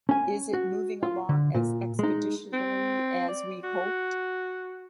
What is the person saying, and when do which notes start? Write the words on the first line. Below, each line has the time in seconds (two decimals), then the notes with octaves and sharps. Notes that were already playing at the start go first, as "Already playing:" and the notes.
Is it moving along as expeditiously as we hoped?
0.09 C#4 G#5
0.53 F#4
1.03 F4
1.29 D3
1.54 A#2
1.99 G#3 D#4
2.53 C4
3.28 D5
3.63 F#4